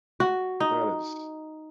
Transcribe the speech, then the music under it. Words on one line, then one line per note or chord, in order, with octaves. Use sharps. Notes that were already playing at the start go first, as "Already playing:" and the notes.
that is
F#4
D#4